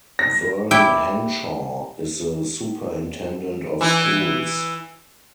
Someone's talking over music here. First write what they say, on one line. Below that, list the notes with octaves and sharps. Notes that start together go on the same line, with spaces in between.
Vern Henshaw is the Superintendent of Schools.
A#6
E4 G4 G5
E3 E4